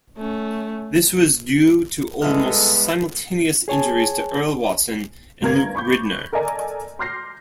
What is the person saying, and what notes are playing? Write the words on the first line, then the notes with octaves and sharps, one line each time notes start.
This was due to almost simultaneous injuries to Earl Watson and Luke Ridnour.
A3 C#4
C2 G#3 B3 A4 E5 F6
G#4 C#5 G#5 A5
G1 A#4 G#6
B5 C#6 D6 G6
A4 A#4 D5 D#5 G#5 A#5
C6 D6 F6 G6 A#6 C7